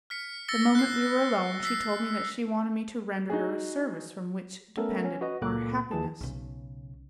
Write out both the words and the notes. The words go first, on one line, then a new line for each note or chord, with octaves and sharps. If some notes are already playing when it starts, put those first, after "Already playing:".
The moment we were alone she told me that she wanted me to render her a service from which depended our happiness.
F6 B6 C#7
E6 A6 A#6 C#7 G7
F#6 C7
E6 B6 C7
D#4 F#4 G#4
A3 B3 C#4 A4 A#4
C#4
F#4 B4 D#5
C#2 A#2 A#3 A4 D6 F#6
D#2 E3 G#4 A5
B1 C#3